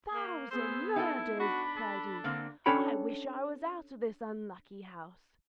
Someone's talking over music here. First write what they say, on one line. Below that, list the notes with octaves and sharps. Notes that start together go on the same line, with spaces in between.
"Thousand murders!" cried he; "I wish I was out of this unlucky house."
A#3
B3 G#4 C5 E6
D#4 E4 A4
D4 F#4 B5
A4
D3 A#3 C4
C#4 D4 A4 C#5 G5 B5